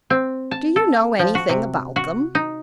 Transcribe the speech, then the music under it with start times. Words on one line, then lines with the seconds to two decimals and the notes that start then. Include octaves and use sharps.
Do you know anything about them?'
0.10 C4
0.51 A5
0.76 A4
1.19 F3
1.35 F#4
1.49 C3
1.96 F#4
2.35 D#4